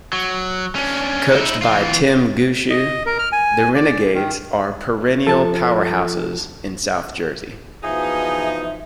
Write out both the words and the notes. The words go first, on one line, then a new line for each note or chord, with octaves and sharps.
Coached by Tim Gushue, the Renegades are perennial powerhouses in South Jersey.
F#3
C#4 D4
D#4 E4
E3 F4
D#5
A#4
F6
G#5
D5
D#3
F3 A4 A5
B2 E3 F3 D#4 G#4 E5